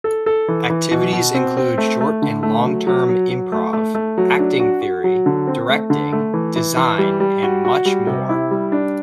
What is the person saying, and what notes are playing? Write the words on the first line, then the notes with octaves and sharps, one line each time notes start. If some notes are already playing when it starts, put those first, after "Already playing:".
Activities include short and long term improv, acting theory, directing, design, and much more.
A4
A4
E3
E3
B2
B2
C4
C4
A3
A3
D3
A3
F#3
F#3
F#3
F#3
A3
A3
A3
F#3
D4
F#4
F#4
F#3
D3
C4
A3
D3
A3
E3
E3
E3
G3
G3
F#4
F#4
G3
C3
E4
G3
D4